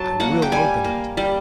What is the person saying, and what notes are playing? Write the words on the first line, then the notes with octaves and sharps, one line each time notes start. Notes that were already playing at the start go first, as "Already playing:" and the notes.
I will open it!
Already playing: F#3 A5
A#3 F#5
G5
G3 G#5
A#3
G3